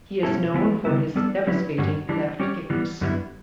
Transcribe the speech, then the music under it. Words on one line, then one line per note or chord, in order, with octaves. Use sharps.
He is known for his devastating left kicks.
B2 G3 C#4 E4 A4
E3 B3 E4 B4
C#3 G3 B3 E4
G3 B3 D4 A4
D3 F#3 C#4 E4 B4
G2 D3 G3 C#4 F#4
E3 G3 D4
G3 C#4 G4 C#5
E3 G3 B3
F#2 D3 G3 B3 E4